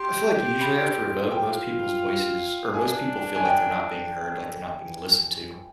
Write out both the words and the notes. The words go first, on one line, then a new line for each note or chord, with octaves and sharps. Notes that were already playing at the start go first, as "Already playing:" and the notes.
I feel like u usually after a vote, most people's voices or most people feel like they're not being heard, like they're not being listened to
Already playing: G4 C6
B5
F4 G5
D4 G#5
G#5
G5